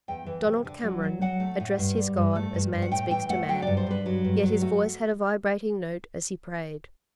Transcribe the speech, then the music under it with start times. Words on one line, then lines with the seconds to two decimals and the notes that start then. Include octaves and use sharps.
Donald Cameron addressed his God as man speaks to man; yet his voice had a vibrating note as he prayed.
0.08 E2 G5
0.26 E3
0.46 C3
0.65 D3
0.83 F#3
1.03 F#3
1.21 F#3 F#5
1.40 A3
1.60 A2
1.78 G2
1.98 G3
2.17 G2
2.35 A3
2.54 G2
2.73 G2
2.82 F#5
2.92 A2 G5
3.11 E3 G5
3.30 A3 F#5
3.48 F#3 G5
3.62 G2 D5
3.77 C5
3.87 G2 B4
4.06 F#3
4.24 G2
4.43 F#3
4.61 A3 F#4